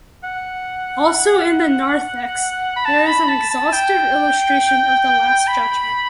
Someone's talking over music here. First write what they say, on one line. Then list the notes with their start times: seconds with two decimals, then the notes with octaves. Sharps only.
Also in the narthex, there is an exhaustive illustration of the Last Judgment.
0.24 F#5
2.76 B5
2.85 A5
3.07 B5
3.29 A5
3.51 A5
3.73 G5
5.47 B5